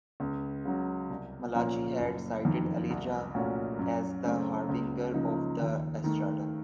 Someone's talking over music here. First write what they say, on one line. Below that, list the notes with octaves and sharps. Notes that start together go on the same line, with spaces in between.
Malachi had cited Elijah as the harbinger of the eschaton.
C#2
C#3 F#3
C2
A#2 F3 A#3 C#4
F#1
F2 D#3
C2
A#2 A3 C#4 F#4
F#2
C#3 A3 C4
C#2
C#3 F3 A#3 D#4
D#2
D#3 A3